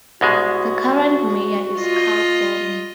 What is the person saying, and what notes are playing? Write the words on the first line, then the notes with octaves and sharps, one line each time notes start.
The current mayor is Karl Bonny.
C2 B2 G#3 F#4
F4 D#5